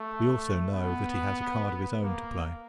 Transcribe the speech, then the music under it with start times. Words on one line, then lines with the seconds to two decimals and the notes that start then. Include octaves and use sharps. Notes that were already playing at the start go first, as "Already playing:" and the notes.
We also know, that he has a card of his own to play.
Already playing: A3
0.73 B3
2.03 A#3